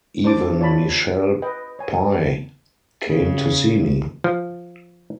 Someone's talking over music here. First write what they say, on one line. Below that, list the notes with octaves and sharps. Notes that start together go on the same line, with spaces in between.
Even Michele Pye came to see me.
D4 C5 A5 D6
F4 C#5 D5 A5 B5
B4 D#5 G5
C#5 G#5
C#3
F3